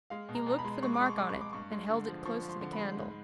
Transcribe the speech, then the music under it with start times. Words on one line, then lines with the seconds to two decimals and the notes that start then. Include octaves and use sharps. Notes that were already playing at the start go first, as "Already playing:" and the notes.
He looked for the mark on it, and held it close to the candle.
0.10 G#3 F5
0.29 B2
0.35 A#5
0.46 B2 A#5
0.59 B5
0.64 G#3
0.82 G#3 C#6
0.94 D6
1.01 G#3
1.06 C#6
1.17 G#3 D6
1.29 C#6
1.36 G#3 D6
1.53 G2 C#6
1.72 G#3
1.89 D3
2.08 F3
2.26 F3 C#6
2.43 F3
2.49 C6
2.61 D3
2.73 B5
2.79 G#3
2.97 G#2